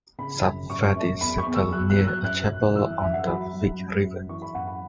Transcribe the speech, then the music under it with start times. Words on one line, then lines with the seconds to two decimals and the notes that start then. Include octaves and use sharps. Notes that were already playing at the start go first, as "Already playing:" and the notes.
Savvaty settled near a chapel on the Vyg River.
0.18 C#3 B5
0.44 F#2
0.70 F#2 C#6
0.95 F#2
1.21 E2 B5
1.38 C#6
1.46 E2
1.55 E6
1.72 F#3 F#6
1.90 F#6
1.98 F#3
2.07 F#6
2.24 F#2 F#6
2.50 F#2
2.75 E3 E6
3.01 F#2 E5
3.13 F#5
3.27 F#3 B5
3.52 F#3
3.78 F#2
4.04 F#2
4.29 E3 C#6
4.42 B5
4.54 F#2 F#5
4.68 B5